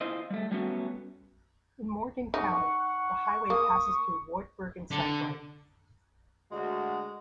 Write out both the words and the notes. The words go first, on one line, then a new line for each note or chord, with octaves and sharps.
In Morgan County, the highway passes through Wartburg and Sunbright.
E4 F4 C5 D#5
G3 A3
F#3 G3 A3 B3 C#4 F#4
D#4 F#5 C#6
A#3 D#6
D3
D2 G#3 F#4